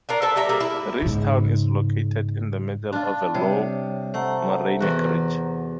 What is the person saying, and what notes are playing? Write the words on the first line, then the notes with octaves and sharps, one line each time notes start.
Ridgetown is located in the middle of a low morainic ridge.
D4 F4 A#4
A4 C5 E5 A5
G3 A4 E5 A#5
G3 A#3 G#4 A#4
E4
G#2 C#3
D4 F4
C3 G3 C#5
A3 C5 F#5 A#5
E2 F#4